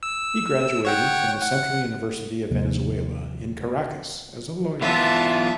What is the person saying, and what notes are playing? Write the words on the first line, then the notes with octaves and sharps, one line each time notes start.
He graduated from the Central University of Venezuela in Caracas as a lawyer.
E6
C#5 F#5 G5
F#5
D#2 C3 F3 A#3
E3 B3 F4 E5 A5